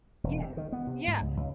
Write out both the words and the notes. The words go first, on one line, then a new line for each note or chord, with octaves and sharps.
Yeah. Yeah.
E1
C3
D#3
B3
C3
G#2
C#2
C#2